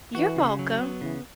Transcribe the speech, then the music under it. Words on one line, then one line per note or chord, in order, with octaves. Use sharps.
You're welcome.
E3 F#4
C#3
F#3
B3
C#3 E3